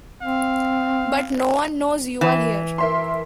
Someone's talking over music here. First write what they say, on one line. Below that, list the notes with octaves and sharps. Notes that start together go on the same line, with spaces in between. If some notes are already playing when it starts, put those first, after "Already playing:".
But no one knows you are here.
C4 F5
E3
A#4 E5 C6